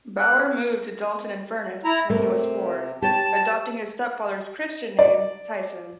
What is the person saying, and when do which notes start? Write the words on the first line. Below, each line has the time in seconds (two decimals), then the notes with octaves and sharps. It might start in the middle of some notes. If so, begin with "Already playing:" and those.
Bower moved to Dalton-in-Furness when he was four, adopting his stepfather's Christian name Tyson.
0.19 F#6
1.85 E4 A#5
2.10 C3 A3 A#4
3.02 G4 C#5 A5
4.99 D5